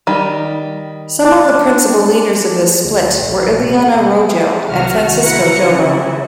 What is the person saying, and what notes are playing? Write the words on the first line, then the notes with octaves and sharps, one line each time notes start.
Some of the principal leaders of this split were Ileana Rogel and Francisco Jovel.
D#3 G3
D4
D2
A#1
C3
C2 D#3 F#4 F6
E4 F#4 B4 F#5 A#5 C#7
C#3 E4